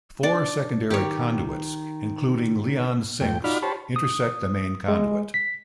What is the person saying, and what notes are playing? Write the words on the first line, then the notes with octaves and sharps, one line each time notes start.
Four secondary conduits, including Leon Sinks intersect the main conduit.
D4 D5
D#3 G4 C#5
F2 A2 G5
D#4 F4 F#4 D5 B5 F6
G4 C5 C#5 A5 B5
D#6
G#3
B6